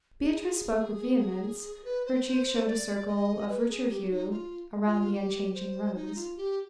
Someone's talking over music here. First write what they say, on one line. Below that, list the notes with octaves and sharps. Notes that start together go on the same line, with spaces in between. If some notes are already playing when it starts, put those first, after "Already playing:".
Beatrice spoke with vehemence; her cheeks showed a circle of richer hue around the unchanging rose.
G#4
B4
C5
C5
C5
D5
D#5
B4
G#4
G4
D#4
F4
F4
G4
C5
D#4
F4
G4